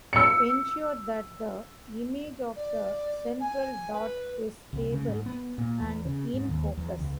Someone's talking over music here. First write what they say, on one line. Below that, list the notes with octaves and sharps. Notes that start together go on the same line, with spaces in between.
Ensure that the image of the central dot is stable and in focus.
E6 C#7
D5
G#5
B4
C2
C#3
G#2
B3
A#2
E2
C#3
G#2
D#2
E2
C#2